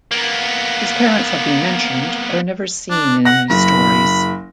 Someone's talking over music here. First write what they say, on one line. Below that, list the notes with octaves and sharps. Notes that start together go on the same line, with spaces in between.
His parents have been mentioned but are never seen in any stories.
A#3 B3
D4
F#5 A#6
F#1 B5